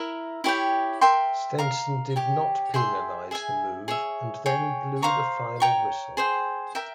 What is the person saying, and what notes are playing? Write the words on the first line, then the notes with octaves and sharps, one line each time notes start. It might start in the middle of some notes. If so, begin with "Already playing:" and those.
Stenson did not penalise the move and then blew the final whistle.
Already playing: E4 A#4 E5 A#5
E4 G4 C#5 G5
A#4 E5 G5 C6
A#4 F5 A#5
G4 C#5 G5
G#4 E5 G5 C6
G#4 E5 G#5
G#4 C#5 E5
G#4 C#5 G5
C5 F5 A#5 C#6
C#5 G5 A#5 C#6
G#4 C5 G5
A#4 E5 G5